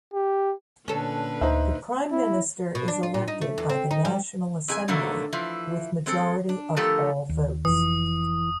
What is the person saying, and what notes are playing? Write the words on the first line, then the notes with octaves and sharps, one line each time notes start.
The Prime Minister is elected by the National Assembly with majority of all votes.
G4
A#2 D3 C#4 A4 B4
D2 D#4 C5 E5
E4
B2
D4
F4
A#2
D#4
A3
E2
C4
D#4
G3
F2 G#4 G#5
B2 D3 D#3 F#3 A3 A#3
E3 F3 E4
G#3 C4 A4
D4
D3 F3 A3 G4 A4 A#4
D#2
F1 F2 E3 D#6